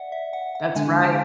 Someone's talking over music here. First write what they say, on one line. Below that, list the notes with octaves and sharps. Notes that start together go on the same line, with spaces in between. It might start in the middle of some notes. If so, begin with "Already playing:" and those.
That's right.
Already playing: D5 E5 F#5
E5
F#5
F#5
D3 G#3 D4 G#5
A5